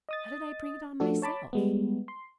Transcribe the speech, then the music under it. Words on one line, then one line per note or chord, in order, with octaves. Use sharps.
"How did I bring it on myself?"
D#5 D#6 A6
F3 A3 D4 F#4 A4
C#5 A5 B5 D6
G3 G#3 B3
C6